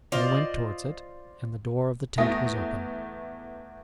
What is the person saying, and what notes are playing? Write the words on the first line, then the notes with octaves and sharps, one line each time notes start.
And he went towards it; and the door of the tent was open.
F4 C5 D5 D#5
E2 A3 D#6 A#6